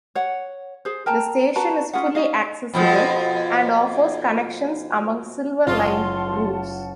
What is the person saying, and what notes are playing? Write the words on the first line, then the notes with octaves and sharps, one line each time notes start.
The station is fully accessible and offers connections among Silver Line routes.
C#5 F#5
G#4 C5
A#4 G5 A5 A#5
F#4 B4 A5 A#5
C#4 F4 G#4 F#5
C#4 F#4 D#5 F5
F2 B2 F3
F#1 F4 D#5 F#5 A5 C6